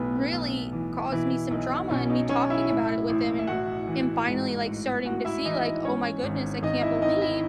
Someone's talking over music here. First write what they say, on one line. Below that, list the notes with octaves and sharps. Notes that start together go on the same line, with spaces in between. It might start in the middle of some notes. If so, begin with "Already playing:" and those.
really caused me some trauma and me talking about it with him and him finally like starting to see like, "Oh my goodness, I can't believe
Already playing: B1 A2 B3 B4
B1
E3
B2 E3 E4
B1 D#4
B2 C#4
D#4
B1 C#4 C#5
E4 E5
A2
A1
E5
A1 F#4 F#5
E3
G#2
A1
A1 F#4 F#5
E4 E5
E3 D#4 D#5
G#2 C#4 C#5
G#1
G#1 D#4 D#5
E4 E5
D#3 D#4 D#5
E4 E5